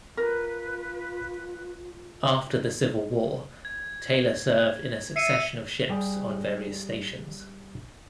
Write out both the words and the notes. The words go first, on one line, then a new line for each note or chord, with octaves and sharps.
After the Civil War, Taylor served in a succession of ships on various stations.
F4 A#4 B4
G#6
E5 C7 C#7 D#7
G3 G4 G#4